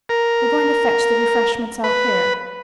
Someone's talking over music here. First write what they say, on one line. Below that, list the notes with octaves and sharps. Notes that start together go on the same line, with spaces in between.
"They're going to fetch the refreshments out here."
A#4
B4